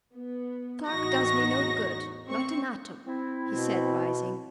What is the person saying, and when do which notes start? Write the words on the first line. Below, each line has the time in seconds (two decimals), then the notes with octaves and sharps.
"Clarke does me no good--not an atom," he said, rising.
0.14 B3
0.88 A1 E2 D#4 F#4 C#6 A#6
2.29 C4 C#6
3.07 C4 E4
3.47 B2